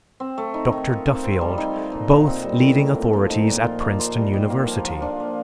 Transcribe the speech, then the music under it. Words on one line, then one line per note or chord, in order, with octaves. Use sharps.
Dr. Duffield, both leading authorities at Princeton University.
C4
A3
D#4
D#3
F4
C4
C5
G3
D#4
A3
A#2
A#2
C4
G3
A2
A2
A#3
F3
D#4
A#2
F4
A#3
C5
G3
D#4
A#3
F3
F3
D4
A#3